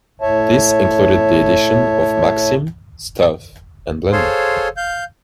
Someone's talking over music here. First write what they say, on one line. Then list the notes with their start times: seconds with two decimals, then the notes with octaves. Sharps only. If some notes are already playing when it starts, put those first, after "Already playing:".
This included the editions of "Maxim", "Stuff" and "Blender".
0.22 A2 C#5 E5 A5
4.12 G#4 A4 C5 C#5 F5 C6
4.77 F5 G6